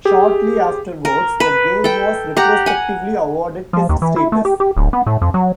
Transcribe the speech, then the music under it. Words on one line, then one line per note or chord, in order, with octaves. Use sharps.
Shortly afterwards the game was retrospectively awarded test status.
G4 G#4
A#4
B4
A4 G5
G4 F#5 A#5
F#5 G#5
F3
D#2
E3
E4
A3
G4
G4
D1
B3
A2
F2
F#3